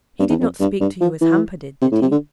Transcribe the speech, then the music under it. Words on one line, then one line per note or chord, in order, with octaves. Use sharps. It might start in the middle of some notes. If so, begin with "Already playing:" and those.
He did not speak to you as Hamper did, did he?'
G2
E2
F2
G2
G2
F3
E3
C3
A2
C3
D3